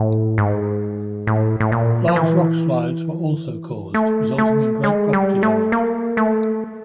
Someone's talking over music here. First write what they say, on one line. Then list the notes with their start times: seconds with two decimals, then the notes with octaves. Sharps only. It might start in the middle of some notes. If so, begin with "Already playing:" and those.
Large rockslides were also caused, resulting in great property damage.
Already playing: A2
0.38 G#2
1.27 A2
1.60 A2
1.72 A#2
2.08 F3
2.16 E3
3.94 A3
4.38 A3
4.84 G#3
5.13 G3
5.43 A3
5.72 A#3
6.17 A3